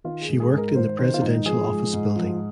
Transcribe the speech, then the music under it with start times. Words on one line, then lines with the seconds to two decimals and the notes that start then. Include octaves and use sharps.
She worked in the Presidential Office Building.
0.04 D#3 F4
0.22 G#4
0.29 G#2
0.40 G#4
0.52 G#2
0.57 A#4
0.75 D#3 C5
0.99 D#3 C5
1.14 F4
1.22 G#2 D#4
1.45 F3 G#4
1.69 G#2
1.93 G#2
2.16 F3